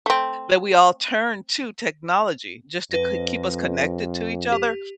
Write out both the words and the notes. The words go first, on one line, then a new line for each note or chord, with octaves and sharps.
that we all turned to technology just to k keep us connected to each other,
A3 C4
F2 B4 A#6
G4